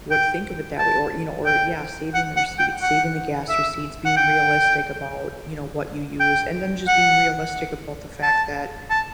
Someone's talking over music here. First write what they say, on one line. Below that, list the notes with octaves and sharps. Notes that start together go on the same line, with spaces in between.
would think of it that way, or you know, or yeah, saving the receipts, saving the gas receipts, being realistic about, you know, what you use, and then just being realistic about the fact that
G5
A5
G5
F#5
F#5
G5
F#5
E5
F#5
G5
G5
F#5
A5
A5